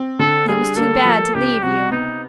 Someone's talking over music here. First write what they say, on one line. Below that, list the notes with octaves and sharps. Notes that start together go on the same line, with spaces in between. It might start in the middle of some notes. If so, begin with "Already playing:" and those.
It was too bad to leave you.
Already playing: C4
D3 A4
G3 G#4
A#3 A4
F3
C#2 G4
C3 F#4
B3 D#4